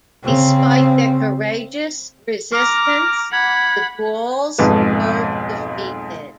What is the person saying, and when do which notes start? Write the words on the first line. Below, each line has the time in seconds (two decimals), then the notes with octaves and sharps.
Despite their courageous resistance, the Gauls were defeated.
0.24 C#3 C4
2.52 A#5 D6 F6
3.32 F#5 B5 G#6
4.58 B1 F2 G#2 B4